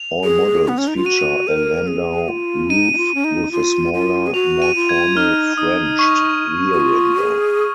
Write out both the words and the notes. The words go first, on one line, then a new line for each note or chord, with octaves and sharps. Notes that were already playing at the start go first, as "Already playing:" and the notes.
All models feature a landau roof with a smaller, more formal "frenched" rear window.
Already playing: F7
G#4
B3
C#4
D#4
F4
F#4 D#7
A#4
G#4
F4
D#4 D#7
D#4
F4
C#4
D#4
F4
F4
G#4
F#4 F7
D#7
F4
G#6
D#4 F6
D#4 D#6
C#6
F#4
F4
G#4